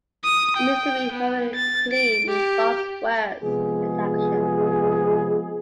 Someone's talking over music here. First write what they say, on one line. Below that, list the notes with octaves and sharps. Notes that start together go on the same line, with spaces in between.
It means to be morally clean in thoughts, words, and actions.
D#6
G5
B3
A6
D7
G4
C3 F3 G#3 B3 G#4